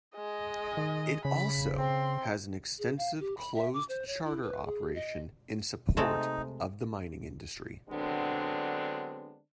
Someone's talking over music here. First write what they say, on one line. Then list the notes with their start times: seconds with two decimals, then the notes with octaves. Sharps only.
It also has an extensive closed charter operation in support of the mining industry.
0.16 G#3 D#5
0.77 D#3
1.25 C#3 B5
1.76 C4 C6
2.78 G#4
2.97 F5
3.20 G4
3.37 B5
3.54 E5
3.74 D6
3.88 C5
4.07 C#5
4.24 E4
4.42 B4
4.65 G#4
4.94 D#5
5.97 C3 G#3 A3 D#4
7.90 D3 F#3 G#3 B3 C4 D4